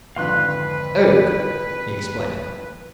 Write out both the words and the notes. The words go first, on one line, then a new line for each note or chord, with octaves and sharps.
"Oak," he explained.
G#1 F2 D3 B4 F5 C6 F#6